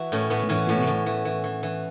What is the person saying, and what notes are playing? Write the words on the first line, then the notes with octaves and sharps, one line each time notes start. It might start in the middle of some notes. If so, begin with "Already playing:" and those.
Can you see me?
Already playing: E3 E4 F#4
A2 C#4
A2 B3
E3 C#4
A2 C#4
A2
E3
E3
E3
E3